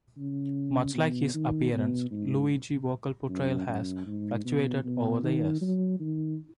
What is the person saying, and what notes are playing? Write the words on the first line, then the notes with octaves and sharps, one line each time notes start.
Much like his appearance, Luigi's vocal portrayal has fluctuated over the years.
C#3
B2
D#3
B2
G#2
F#2
F#2
G#2
B2
B2
D#3
F#3
D#3